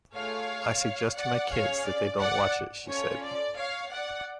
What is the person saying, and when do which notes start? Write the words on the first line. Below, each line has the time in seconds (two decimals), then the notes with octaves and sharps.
I suggest to my kids that they don't watch it, she said.
0.14 A3 F4 G#4 C#5 F5
1.16 D5 F#5
1.51 C#4 G#4 C#5 F5
1.85 D5
2.19 D5 F#5
2.87 C#4 F4 A4 C#5
3.22 D5
3.55 C#5 F5
3.90 D5 F#5